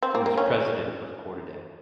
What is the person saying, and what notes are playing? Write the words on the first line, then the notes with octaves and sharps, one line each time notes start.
He was president of Quarterdeck.
C4
A#3
A#3
C#4